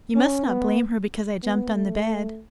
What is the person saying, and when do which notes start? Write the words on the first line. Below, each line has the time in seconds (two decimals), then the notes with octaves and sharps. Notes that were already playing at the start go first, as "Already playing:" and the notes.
You must not blame her because I jumped on the bed.
0.16 C#4
0.47 B3
1.43 B3
1.75 A3